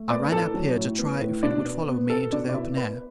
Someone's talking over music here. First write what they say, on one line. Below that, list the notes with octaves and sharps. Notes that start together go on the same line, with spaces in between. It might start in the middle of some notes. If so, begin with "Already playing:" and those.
I ran up here to try if it would follow me into the open air.
Already playing: A3
B3 D5 D6
A2 A4 A5
F#3
A2
B3
A2
B2 D4 D5
B3
B3
B2 A4
B2 D4 D5
D5
B3 E4 E5
B3 B4